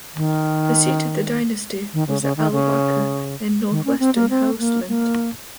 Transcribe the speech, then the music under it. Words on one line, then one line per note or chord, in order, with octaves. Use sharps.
The seat of the dynasty was at Alkalawa, in northwestern Hausaland.
D#3
D#3
C#3
C#3
D#3
C#3
D#3
C#4
C4
A#3
C4
A#3
A#3